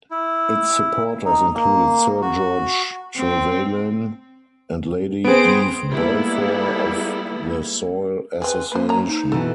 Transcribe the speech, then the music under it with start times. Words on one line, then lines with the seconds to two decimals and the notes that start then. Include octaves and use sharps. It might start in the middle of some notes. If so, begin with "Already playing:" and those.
Its supporters included Sir George Trevelyan and Lady Eve Balfour of the Soil Association.
0.11 E4
1.25 D#4
1.54 A#3
2.22 F#4
3.17 C4
5.24 B3 C4 G#4 C5 D7
5.91 G3 G#3 A#3 B3 E4 A4
8.42 C4 G#4 B4
8.72 A#3 B4 C5
8.89 C#5 A#5
9.07 D#4
9.32 B2 E3 A4